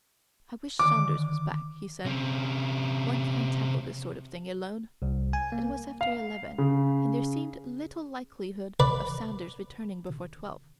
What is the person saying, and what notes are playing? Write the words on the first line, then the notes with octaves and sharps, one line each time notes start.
"I wish Saunders was back," he said; "one can't tackle this sort of thing alone." It was after eleven, and there seemed little likelihood of Saunders returning before twelve.
D3 D#3 D6
C3 C#4
C2
G#5
A#3
F5
C#3
B4 D5 B5